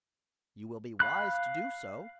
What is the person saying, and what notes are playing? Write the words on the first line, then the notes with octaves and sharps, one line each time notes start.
"You will be wise to do so."
F5 B5 F#6